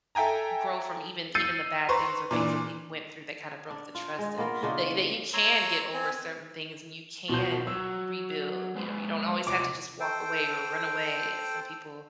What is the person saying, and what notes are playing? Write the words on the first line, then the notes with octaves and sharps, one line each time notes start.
grow from even even the bad things or things that we've went through that kind of broke the trust and that that you can get over certain things and you can rebuild. You know, you don't always have to just walk away or run away. Yeah, some people,
A4 E5 G5 G#5 A#5
E6 G6 A6 C7 C#7 D#7
B4 C5 A#5 C6 C#6
A#2 E3 D4
D4
F4
G#3
A#3 B3 F4 A#4
C#3 D4 D#4 F4
C#5 A#5 C6 E6
C4 G#5
B2 F4 C5 G6
F#3 E6
G#3 B4 C5
C3 F4 D6
A4 C5 G5